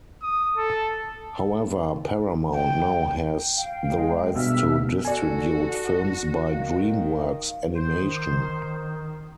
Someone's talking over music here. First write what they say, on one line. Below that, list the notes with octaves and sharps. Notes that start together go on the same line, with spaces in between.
However, Paramount now has the rights to distribute films by DreamWorks Animation.
D#6
A4
G5
F5 G5
G#3
G2 B2 E5 E6 F6
F#4 A4 D5 G#5
D#3 F5
D#3 C5